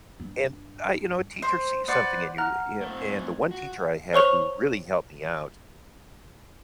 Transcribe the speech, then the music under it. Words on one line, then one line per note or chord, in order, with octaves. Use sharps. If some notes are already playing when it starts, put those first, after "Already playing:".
and I you know, a teacher sees something in you, you know, and the one teacher I had who really helped me out,
G2
C5
B4 C5 D5 F#5
F#5 A#5 F6
A3 C4
F#4
C5 C#5 C#6 F7